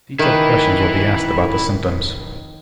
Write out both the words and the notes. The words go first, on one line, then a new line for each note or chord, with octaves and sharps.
Detailed questions will be asked about the symptoms.
D#3 E4 B4